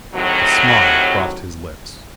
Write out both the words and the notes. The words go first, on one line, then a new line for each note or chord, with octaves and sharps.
A smile crossed his lips.
A2 C3 D#3 F#3